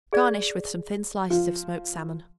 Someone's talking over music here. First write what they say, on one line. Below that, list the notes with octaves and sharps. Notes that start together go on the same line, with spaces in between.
Garnish with some thin slices of smoked salmon.
G#4 D5
F3